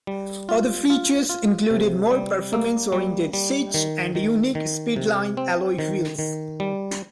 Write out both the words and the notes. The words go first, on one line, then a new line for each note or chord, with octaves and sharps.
Other features included more performance oriented seats and unique Speedline alloy wheels.
G3
F4
F4
F4
C3
G3
A#3
G3
G3
D#3
D#3
D#3
C3
C4
D#3
D#3
G3